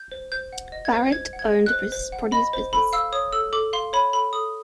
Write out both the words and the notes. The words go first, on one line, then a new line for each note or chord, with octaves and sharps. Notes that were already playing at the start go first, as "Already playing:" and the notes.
Barrett owned produce businesses.
Already playing: G6
C5
C5 G6
F#5
D#5
G#6
C5
C5 G#6
F#5
G#6
D#5
F#6
C5
C5
F#5
D#5 B5
C5
A4 B5
F5 E6
C#5 D#6
A4 E6
A4 D6
F5 C6
C#5 B5
A4 B5
A4 D#6